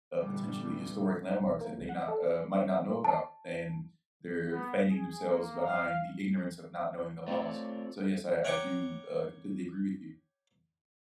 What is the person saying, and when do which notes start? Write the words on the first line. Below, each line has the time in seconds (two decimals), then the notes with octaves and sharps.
uh, potentially historic landmarks that they not uh, might not know about, and they're feigning themselves behind the ignorance of not knowing the laws. So, yes, I I do, uh, completely agree with you.
0.20 A#2 D3 E3 G3 B3
1.39 B1
1.61 A#3
1.77 C#2
1.89 F#5
2.08 A4
3.04 A5
4.51 B3
4.87 G#4
5.29 A#3
5.62 F5
7.28 A3 B3 C4 F4 C#5 D5
8.45 C#5 F#5 G5 A#5 C#6 D6